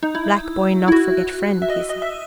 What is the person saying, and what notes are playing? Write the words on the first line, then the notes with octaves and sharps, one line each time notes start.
"Black boy not forget friend," he said.
D#4
E4
E4
F#4
E5
D#5
D#5
E5